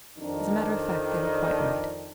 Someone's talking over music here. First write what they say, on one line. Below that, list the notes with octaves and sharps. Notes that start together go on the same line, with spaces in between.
As a matter of fact they were quite right.
F2 D#3 D4